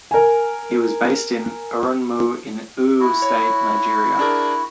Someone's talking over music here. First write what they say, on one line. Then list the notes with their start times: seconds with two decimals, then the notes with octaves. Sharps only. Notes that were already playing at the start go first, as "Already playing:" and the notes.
He was based in Erunmu in Oyo State, Nigeria.
0.11 A#4 G#5
3.00 E4 F#4
3.22 C#5
4.19 D4 G#4 A#4